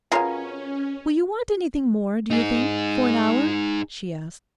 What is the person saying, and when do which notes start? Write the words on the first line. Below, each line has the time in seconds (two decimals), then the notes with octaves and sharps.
'Will you want anything more, do you think, for an hour?' she asked.
0.12 B2 C#4 F4 G#4 A#4 C#5 F5
2.31 D#4 G#4